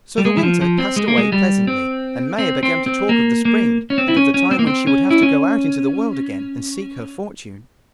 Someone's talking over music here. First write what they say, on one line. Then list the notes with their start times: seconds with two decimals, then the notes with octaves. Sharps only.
So the winter passed away pleasantly, and Maia began to talk of the spring, and of the time when she would have to go out into the world again and seek her fortune.
0.18 G3
0.25 G#3
0.37 E3
0.43 F3
0.61 F3
0.78 C4
0.96 G#3
1.08 A#3
1.18 G#3
1.32 G3
1.67 C4
2.38 C4
2.63 C4
2.86 C4
3.09 A#3
3.45 A#3
3.90 C#4
3.98 C4
4.08 E4
4.17 C#4
4.34 C#4
4.51 C4
4.59 A#3
4.67 C4
4.87 C#4
5.11 E4
5.23 C#4